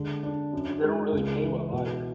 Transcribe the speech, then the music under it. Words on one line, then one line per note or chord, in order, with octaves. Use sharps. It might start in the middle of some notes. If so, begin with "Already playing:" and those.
And they don't really pay well either.
Already playing: D3 G#3
D4
F#2
G#3
C#2
E3
B2